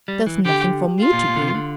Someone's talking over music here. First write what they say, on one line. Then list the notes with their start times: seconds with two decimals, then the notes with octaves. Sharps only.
There's nothing for me to do.
0.08 G3
0.27 E3
0.45 D3 G4
1.00 F4
1.13 A#2
1.28 A#2
1.36 D3
1.41 C3
1.55 D3